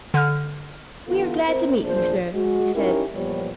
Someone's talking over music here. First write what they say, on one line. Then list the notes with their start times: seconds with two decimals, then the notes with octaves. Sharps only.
"We are glad to meet you, sir," he said.
0.14 D3 F6
1.07 D3 E3 B3 F4 A4
1.46 C4 A#4 C5
1.83 E2 A#2 F3 D4 G#4 C5
2.34 G#3 F#4
2.75 C#4 D#4 E4 G4 A#4
3.14 E2 A#2 F3 G3 B3 C#5